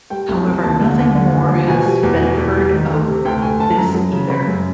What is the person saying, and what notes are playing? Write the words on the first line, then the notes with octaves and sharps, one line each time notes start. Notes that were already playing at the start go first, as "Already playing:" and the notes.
However, nothing more has been heard of this either.
G3 G5
C2
C2
D#2 A5
D3
D#2
D3
D#2
F3
B2 G#5
G3
E2
B2
E2
G3
D#3
D2
C3
D2 G5
D2 G#5
D2 A5
F#2 A#5
F#3
C#3
C#3 B5
F#2